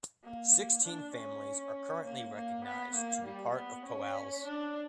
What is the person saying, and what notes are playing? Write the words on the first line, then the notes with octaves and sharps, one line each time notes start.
Sixteen families are currently recognized to be part of Poales.
A#3
D4
C#4
A#3
A#3
B3
A#3
G3
B3
C#4
D4